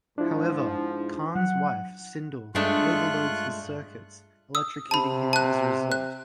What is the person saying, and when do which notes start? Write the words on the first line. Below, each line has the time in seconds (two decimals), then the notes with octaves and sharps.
However, Kahn's wife, Sindel, overloads his circuits, electrocuting him as a result.
0.18 G#2 F3 D4 E4
1.35 F#3 F#5
2.55 G2 G#3 A3 D4 F4 C#6 F#6
4.55 D#6 E6
4.91 C3 A5 B5
5.33 A5 F#6
5.92 F#6